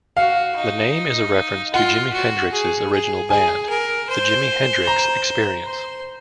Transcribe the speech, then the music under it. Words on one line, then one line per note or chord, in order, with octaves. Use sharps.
The name is a reference to Jimi Hendrix's original band, The Jimi Hendrix Experience.
F#4 F5
D#4
F4 F#5
F#4
G#4
G#4
G#4 G#5
A#4
C5
A#5
C5